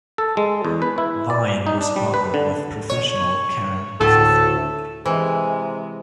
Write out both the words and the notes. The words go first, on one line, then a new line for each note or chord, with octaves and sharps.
Vine was partnered with professional, Karen Clifton.
A4
G#3
E2
B4
E4
D5
D#4
D4
G3
B4
D3
C#5
D2 A2 A3 A4
C3 E3 G#3